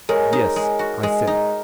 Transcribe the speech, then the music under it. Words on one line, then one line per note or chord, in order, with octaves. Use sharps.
"Yes," I said.
G#3 A#4 C#5
D#4
G#3
F#4
G#3
D#4